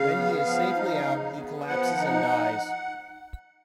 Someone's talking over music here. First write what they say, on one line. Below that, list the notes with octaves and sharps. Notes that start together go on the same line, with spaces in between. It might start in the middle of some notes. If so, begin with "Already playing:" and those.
When he is safely out, he collapses and dies.
Already playing: C#3 F5
B3
F3
D#4
C#3
B3
F3 F#5
D#4